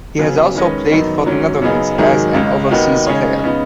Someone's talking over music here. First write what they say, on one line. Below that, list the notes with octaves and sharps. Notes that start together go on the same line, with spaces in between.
He has also played for the Netherlands as an overseas player.
C#3 F#3 B3 G#4 B4
D#3 G#3 C#4 B4 D#5
F#2 D#3 B3 D#4
G#2 F#3 C#4
F#2 C#3 B3 D#4 G#4
G#2 D#3 F#3 D#4 G#4
C#2 C#3 G#3
D#2 D#3 B3 D#4 F#4
C#3 G#3 D#4 G#4 C#5
C#3 B3 D#4